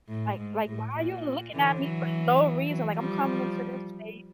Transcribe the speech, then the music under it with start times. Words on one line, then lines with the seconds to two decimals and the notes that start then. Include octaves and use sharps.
like like, "Why are you looking at me for no reason, like, I'm coming into this place"
0.08 A2
0.37 G#2
0.66 A2
0.95 A#2
1.53 D3 E3
1.82 E3 F#3
2.68 E3 F#3
2.97 F3 G3